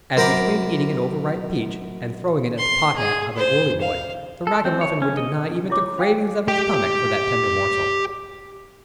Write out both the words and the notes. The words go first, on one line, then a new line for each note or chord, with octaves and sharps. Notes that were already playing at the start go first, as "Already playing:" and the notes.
As between eating an over-ripe peach and throwing it at the pot-hat of a Willie-boy, the ragamuffin would deny even the cravings of his stomach for that tender morsel.
F#2 A#4 C5 A#5 B5 D6
C6
G#4
C5
F5
A4
C4
C#5
C#4
D#5
C#4
E4 F4 C#5 D6
C5 F5 G5 G#5
G4 G5